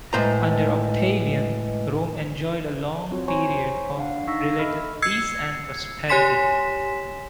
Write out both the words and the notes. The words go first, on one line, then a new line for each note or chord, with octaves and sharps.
Under Octavian, Rome enjoyed a long period of relative peace and prosperity.
A2 G#3 B4 C5 D#5 A#5
C4 F4 F#4 C#5
C5 C#5 G#5 A#5 C6 C#6
D4 F5 F#5
D#4 F5 C#6 E6 A#6 B6
A4 D#5 E5 B5 F6
E6 G#6 C7 C#7
G4 C#5 G#5 C6 B6 E7